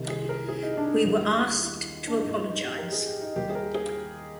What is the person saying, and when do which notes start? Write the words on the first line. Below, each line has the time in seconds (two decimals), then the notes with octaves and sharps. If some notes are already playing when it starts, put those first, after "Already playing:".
We were asked to apologize.
Already playing: C2 C3 D#3 G3
0.10 G#4
0.29 A#4
0.48 G#4
0.62 D#4
0.77 D4
1.05 D#2 D#3 G3
2.07 D4
2.20 G#2 F3 G#3 D#4
2.35 D#4
2.50 D#4
2.64 G4
2.78 A#4
2.92 G#4
3.07 G4
3.22 D#4
3.36 D#2 D#3 G3 G4
3.50 G#4
3.55 A#4
3.75 G#4